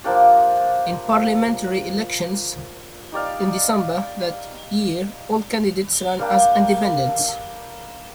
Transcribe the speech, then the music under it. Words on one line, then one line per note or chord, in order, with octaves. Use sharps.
In parliamentary elections in December that year all candidates ran as independents.
F3 A#3 D4 G4
D#4 G4 D5 F5
G3 A#3 D4 G4